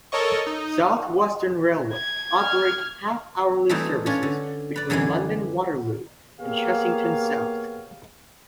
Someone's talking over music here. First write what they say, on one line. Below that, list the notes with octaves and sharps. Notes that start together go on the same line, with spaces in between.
South Western Railway operate half-hourly services between London Waterloo and Chessington South.
A4 A#4 C#5 D#5 C#6
D#4
G#6
F6
E3 G3 A3 C4 D#4
C#4 D4 F4 C#5
D3
B4 D5
F#2 D3 E3 G3 G#3
A#3 B3 G4 G#4 C#5 F5